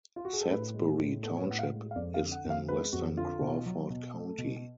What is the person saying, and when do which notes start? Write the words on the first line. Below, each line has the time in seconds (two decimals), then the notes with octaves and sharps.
Sadsbury Township is in western Crawford County.
0.16 F4
0.25 F#4
0.33 G#4
0.41 A4
0.50 A2 B4
0.74 G#3
0.99 A2
1.23 B3 A4
1.37 C#5
1.41 B4
1.47 A2 F#5
1.59 F5
1.71 G#3
1.91 F5
1.96 F2 D5
2.14 F5
2.20 D3
2.32 F#5
2.44 F2
2.50 F5
2.68 G#3 B4
2.93 F2 F#4
3.17 D3 F4
3.41 B2
3.66 F#3
3.90 B2
4.14 A3
4.38 B2